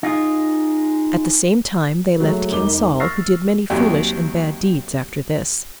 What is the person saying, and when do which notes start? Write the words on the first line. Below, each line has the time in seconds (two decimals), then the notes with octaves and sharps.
At the same time, they left King Saul, who did many foolish and bad deeds after this.
0.03 D#4 F4 G#4
2.20 F#3 G#3 A3 F#4
2.51 E1 D#4 A#4 D6 G7
3.00 C#6 E6 F6 A6 A#6 C7
3.70 D#2 C3 F#3 G3